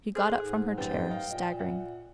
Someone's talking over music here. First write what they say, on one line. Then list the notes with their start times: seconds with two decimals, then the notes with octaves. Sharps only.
She got up from her chair, staggering.
0.15 G#4 A4 C5 F6 F#6
0.38 G#2
0.78 F#2 A2 G3 B4 C#5 G5 A6
1.10 D#5 F5
1.30 A#2 D#5
1.59 E5 F#5